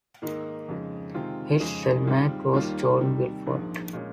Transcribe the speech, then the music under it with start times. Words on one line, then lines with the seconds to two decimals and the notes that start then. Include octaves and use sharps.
His cellmate was Jordan Belfort.
0.22 G#2 D#3 A#3 D#4 A#4
0.68 F2 C#3 G#3 D#4
1.14 C3 D#3 G#3 C4 F4
1.60 F2 C#3 G#3 D#4 G#4
2.07 G#2 G3 C4 F4
2.53 D#2 D#3 G3 A#3 F4
2.99 C3 D#3 G3
3.46 A#1 G#2 F3 A#3
3.93 A#2 G#3 C#4